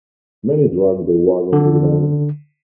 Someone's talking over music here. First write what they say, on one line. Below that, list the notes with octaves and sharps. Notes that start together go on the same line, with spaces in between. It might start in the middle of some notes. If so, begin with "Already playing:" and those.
Many dragged their wagons with them.
D3